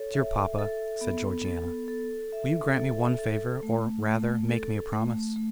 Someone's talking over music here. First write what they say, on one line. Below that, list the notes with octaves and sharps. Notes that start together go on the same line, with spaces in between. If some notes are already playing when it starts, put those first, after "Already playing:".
"Dear papa," said Georgiana, "will you grant me one favour; or, rather, make me a promise?"
Already playing: A4 C#5
E5
A4
B3
A4
A4
E5
A4
A4
A3
A3
A4
A3
A3